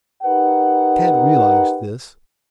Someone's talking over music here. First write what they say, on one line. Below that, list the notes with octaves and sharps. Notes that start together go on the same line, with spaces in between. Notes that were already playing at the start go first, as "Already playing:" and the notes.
Tad realized this.
D#4 G4 A#4 B4 F#5